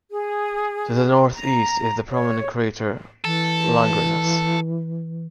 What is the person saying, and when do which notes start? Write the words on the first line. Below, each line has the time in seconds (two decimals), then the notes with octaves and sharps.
To the northeast is the prominent crater Langrenus.
0.11 G#4
1.33 A#5
2.11 C#5
3.25 E3 A4